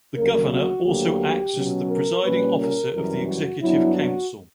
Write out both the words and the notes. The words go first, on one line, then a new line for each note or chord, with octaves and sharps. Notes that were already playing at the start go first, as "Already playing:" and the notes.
The Governor also acts as the Presiding Officer of the Executive Council.
D2 C#3 F#3 A#3 A#4
F#4
D2 D3 F#3 A#3 G4
B2 F#3 C#4
A#4
A#2 G3 A#3 C#4 B4
A#4
F#2 E3 G3 A#4
F#4
G2 F#3 B3 D4 E4
F#4